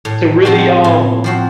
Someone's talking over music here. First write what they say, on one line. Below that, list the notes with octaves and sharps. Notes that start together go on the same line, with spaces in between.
to really, um,
A2
F3 C4 F#4
A2
F3 C4 F#4